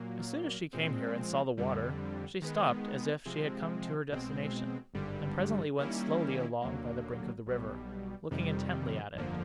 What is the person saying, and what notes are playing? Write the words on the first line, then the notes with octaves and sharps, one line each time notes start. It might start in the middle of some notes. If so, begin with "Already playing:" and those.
As soon as she came here, and saw the water, she stopped as if she had come to her destination; and presently went slowly along by the brink of the river, looking intently at it.
Already playing: A#2 F#3 A#3
A#2 F3 G#3 C4
F2 D3 G3
D#3 G#3 B3
C3 F3 G#3 C4
B1 B2 G#3 C4
G#1 G2 D3 G3
D#3 G3 A#3 C#4 E4
D#2 D3 F#3 A#3
B1 B2 G3
F2 C3 D#3 G3
G1 F2 D3 F3 A#3